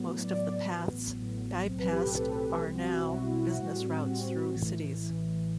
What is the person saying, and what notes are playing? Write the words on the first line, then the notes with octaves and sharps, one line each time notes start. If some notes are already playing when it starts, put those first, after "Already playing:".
Most of the paths bypassed are now business routes through cities.
Already playing: A2 F#3 B3
A2 F#3 B3 D5
A1 A2 F#3 B3
A1 A2 F#3 B3
B1 A2 F#3 C4
B4
G4
A4
B1 A2 F#3 C4
B1 B2 G3 C4 G4
F#4
E4
B1 B2 G3 C4 F#4
E4
F#4
A2 G3 C4 F#4
A2 G3 C4
A1 A2 E3
A1 A2 E3